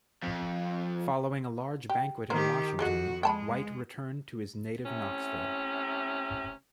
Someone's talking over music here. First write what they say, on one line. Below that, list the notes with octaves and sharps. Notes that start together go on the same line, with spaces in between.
Following a large banquet in Washington, White returned to his native Knoxville.
F2
G4
D#3 A#3 G4 A#4 C5
F2 F#4 G#4 D#5 F#5
G#3 G5 A5 B5
A2 C3 C#4